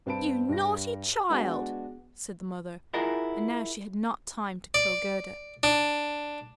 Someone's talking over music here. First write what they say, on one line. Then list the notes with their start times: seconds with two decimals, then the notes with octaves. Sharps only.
"You naughty child!" said the mother: and now she had not time to kill Gerda.
0.06 G2 C4 B4 A5 B5 D7
0.49 G2 G4 A#6
1.30 G#3 B3 D4 F#4 F#5 G#5
2.94 E4 F4 G#4 A#4 D#5 F#5
4.74 D5
5.63 D4